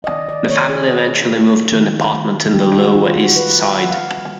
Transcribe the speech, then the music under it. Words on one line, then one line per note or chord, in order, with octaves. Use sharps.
The family eventually moved to an apartment in the Lower East Side.
D#5
D#3 D5
D5
D#3 C#5
G#4
D#3
A3
D#3
G3
D#3 G4
F#4
G3 F4
F#4
G3 B4
E5
D#3 F#5
F5
G3